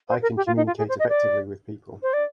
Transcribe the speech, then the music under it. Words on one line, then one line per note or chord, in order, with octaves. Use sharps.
I can communicate effectively with people.
C5
A#4
G4
F4
D#4
F4
G#4
C5
D#5
D5
C5
D5